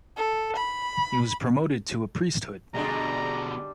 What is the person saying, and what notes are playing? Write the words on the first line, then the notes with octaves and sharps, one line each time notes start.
He was promoted to a priesthood.
A4
B5
B2 D3 G3 G#3 D4 A#5